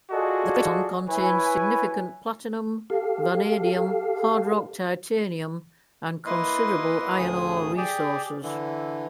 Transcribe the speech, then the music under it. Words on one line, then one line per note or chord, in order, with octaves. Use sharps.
The craton contains significant platinum, vanadium, hard-rock titanium and considerable iron ore resources.
F4 F#4 G#4 A4 D5 D#5
E4 B4 C#5 G#5
G4 A4 F5
A#3 E4 B4 D#5 C6
D2 A2 C#3 G#4 D#6
G4 G#4 D5
D3 E3